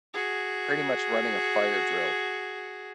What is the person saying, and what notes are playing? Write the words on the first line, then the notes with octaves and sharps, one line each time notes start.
pretty much running a fire drill,
F#4 G#4